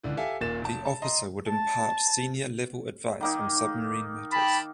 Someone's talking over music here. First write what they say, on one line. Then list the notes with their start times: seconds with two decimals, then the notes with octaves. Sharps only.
The officer would impart senior level advice on submarine matters.
0.03 C#2 D3 E3
0.17 G4 A4 E5 F5 G#5
0.41 D#1 A#2 A#3 A6 E7
0.62 F1 A5
0.85 A5
1.02 D#5 A#5 C6
1.47 A5
3.21 D#3 A#3 D#4
4.32 G5 A5 B5